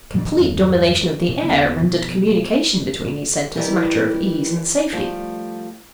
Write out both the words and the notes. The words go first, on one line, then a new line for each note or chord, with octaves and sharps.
Complete domination of the air rendered communication between these centers a matter of ease and safety.
A#2 D#3 F3 D4
E2 G2 D#3
B2
E1 D3 B3
B2 F3
D#3 E3 G3
F3 G3 A3